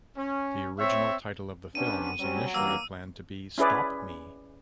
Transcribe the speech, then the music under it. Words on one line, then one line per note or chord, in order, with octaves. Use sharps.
The original title of the film was initially planned to be "Stop Me".
C#4
C4 C#5 E5
C3 B3 C#4 D4 D#7
F#3 G3 C4 C#4
G2 E3 G3 A#3 E6
C#4 E4 G#4 B4 D5